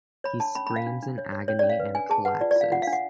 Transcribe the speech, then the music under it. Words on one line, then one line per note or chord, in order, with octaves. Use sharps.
He screams in agony and collapses.
C#5 B5
D4 A5
C#4 B5
C#4 B5
F5
D4
D4
C#5
C#5
C#4 C#5
C#4 D5
F5
B4
D4 G#5
G#4 A5
B4 F#5
F4 D5
D5
F4 F5
F4 F#5
F5
D4
F#5